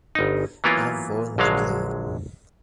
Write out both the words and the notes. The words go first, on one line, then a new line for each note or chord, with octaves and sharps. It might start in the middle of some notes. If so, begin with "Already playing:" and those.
I’ve worn the blue.
G1 D#4
E3 F#3 A#3 B3 E4 F4
A#1 D3 F#3 G#3 F5